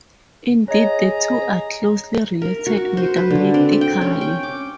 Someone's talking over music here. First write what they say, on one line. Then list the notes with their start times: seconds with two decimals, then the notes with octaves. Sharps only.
Indeed the two are closely related mathematically.
0.68 G#4 C#5 D#5 A#5
2.42 A#4
2.66 F#4
2.97 C5
3.16 B4
3.30 D3
3.54 C4
3.81 G5
4.01 C#4
4.21 G5
4.43 D6